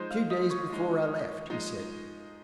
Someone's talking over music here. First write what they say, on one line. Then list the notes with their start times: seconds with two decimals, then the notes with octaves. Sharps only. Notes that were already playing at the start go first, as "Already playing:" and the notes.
"Two days before I left," he said.
Already playing: F3 G#3 D#4 C5
0.10 F5
0.30 D#5
0.50 C#5
0.70 F3 G#3 D#4
1.50 F3 G#3 D#4